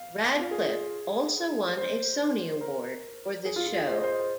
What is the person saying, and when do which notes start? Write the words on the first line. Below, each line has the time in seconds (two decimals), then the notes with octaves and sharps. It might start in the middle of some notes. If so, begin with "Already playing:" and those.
Radcliffe also won a Sony award for this show.
Already playing: F5
0.39 F4
0.51 G#4
1.77 C5
2.61 A#4
3.45 G#4
3.56 F4
3.66 F4
3.77 G#4
3.87 C5
3.95 D#5
4.03 C5
4.12 D#5
4.20 C5